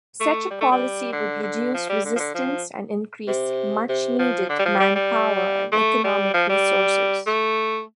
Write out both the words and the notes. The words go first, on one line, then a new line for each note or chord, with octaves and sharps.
Such a policy would reduce resistance and increase much-needed manpower and economic resources.
A3
G3
A3
G3
D3
D3
F3
G3
D3
F3
D3
F3
C3
C3
F3
D3
G3
F3
G3
G3
A3
G3
F3
G3
A3